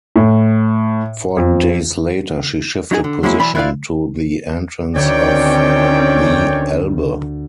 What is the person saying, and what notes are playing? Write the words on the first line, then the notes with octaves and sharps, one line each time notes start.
Four days later she shifted position to the entrance of the Elbe.
A2
F2
F#3 D#4 E4 G#4
D3
F#3 G#3 A#3 C#4 E4
B1 E3 D5 B5 C6
E4 F4 B4 C5 D5 F5
D2 D#3 C4 C#4 C#5 D5 G5